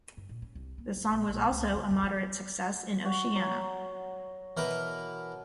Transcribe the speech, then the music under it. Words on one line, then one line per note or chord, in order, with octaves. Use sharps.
The song was also a moderate success in Oceania.
G2
A#2
C#4
C2
A#3
F#2
A#1
A#1
C#2
D3
F2
F3
F#4
F#3
B2 E3 A#4 B4